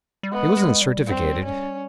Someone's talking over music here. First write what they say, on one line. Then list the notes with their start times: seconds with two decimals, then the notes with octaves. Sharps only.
He wasn't certificated.
0.23 G3
0.32 G#3 B3
0.57 G#3
0.82 G3
1.07 C4
1.44 C#4